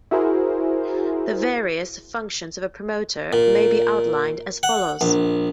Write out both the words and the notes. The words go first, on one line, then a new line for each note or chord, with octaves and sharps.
The various functions of a promoter may be outlined as follows.
E4 F#4 G#4 A#4 C5
A#2
F#5
A#1